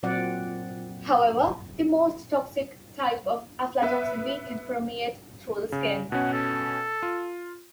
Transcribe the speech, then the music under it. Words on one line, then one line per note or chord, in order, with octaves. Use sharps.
However the most toxic type of aflatoxin, B, can permeate through the skin.
A#2 F#3 C4 D5 F#5
B3 B4 E5
C#3
B2 C#4 F#5
A4
F4